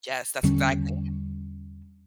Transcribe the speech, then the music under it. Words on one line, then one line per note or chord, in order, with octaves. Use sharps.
Yes, that's exactly
E2 D3 G3 C#4